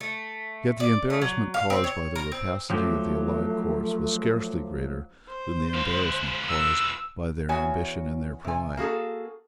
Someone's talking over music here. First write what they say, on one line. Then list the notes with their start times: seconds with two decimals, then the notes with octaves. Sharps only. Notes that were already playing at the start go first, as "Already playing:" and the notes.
Yet the embarrassment caused by the rapacity of the allied courts was scarcely greater than the embarrassment caused by their ambition and their pride.
0.01 A3
0.80 D5
1.10 A3
1.22 F#3
1.54 F5
1.70 C4
1.84 C#5
2.15 A#4
2.32 C4
2.70 F3 F#3 A3 G4
5.29 C5
5.75 F4 B4
6.49 E6
7.49 E2 F#4 C#5 G#5
8.44 C3 G#5
8.77 A#3 F#4 G#4 A4